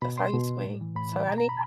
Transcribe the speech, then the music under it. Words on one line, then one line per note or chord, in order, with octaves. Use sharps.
That's how you swing, so, I need
B2 B5
C6
B2
A2
E3
A2 B5
E3
B2 A#5
A#5
B5